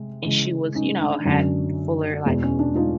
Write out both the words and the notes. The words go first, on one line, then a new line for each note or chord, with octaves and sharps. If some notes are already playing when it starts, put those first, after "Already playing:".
and she was, you know, had fuller like
Already playing: C3 G#3
C#3 E3 G#3
C#4 D#4
D4
F#2 D3 F#3 C#4
E2 B2 G#3 B3
C#4
D4
D#4 F4